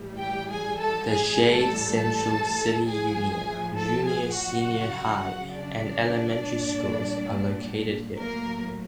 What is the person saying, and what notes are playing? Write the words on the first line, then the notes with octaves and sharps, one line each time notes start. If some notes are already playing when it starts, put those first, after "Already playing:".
The Shade-Central City Union, Junior-Senior High, and elementary schools are located here.
Already playing: A2 E3 G3
G4 G5
G#4 G#5
A4 A5
A2 E3 G3 G#4 G#5
A4 A5
A4 A5
A2 F3 G#4 G#5
A4 A5
G#4 G#5
F#4 F#5
C#3 F#3
D4 D5
A#2 G3
A2 F#3 A#3 A#4